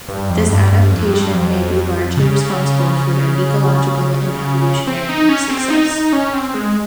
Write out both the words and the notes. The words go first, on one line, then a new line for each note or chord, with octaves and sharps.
This adaptation may be largely responsible for their ecological and evolutionary success.
G2
F2
G2
G2
F2
G2
F2
C#3
C4
D#4
C#4
C4
D#4
D#4
C#4
C4
G#3